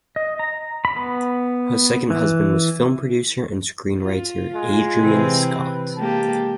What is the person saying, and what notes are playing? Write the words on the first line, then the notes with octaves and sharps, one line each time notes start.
Her second husband was film producer and screenwriter Adrian Scott.
D#5
A#5
B5
B3
E3
F4
G#3
C3 E3 C4
B4
G#3 A#3 G4 A5